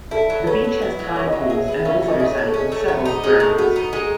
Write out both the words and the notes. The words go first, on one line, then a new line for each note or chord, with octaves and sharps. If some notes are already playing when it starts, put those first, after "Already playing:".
The beach has tide pools and a visitor center with several aquariums.
E4 A4
F#3
C#4 B4
F#3
E4
F#3
C#4 C#5
F#3 D#5
E5
G#4
B4
C#4 E5
E5
A3
D#5
G#4 D#5
C#5
B4
A4
C#4 G#4
A3
B3
D#4
G#3 G#4
A2 G#4
A4
B3 F#4
D#4
G#3 G#4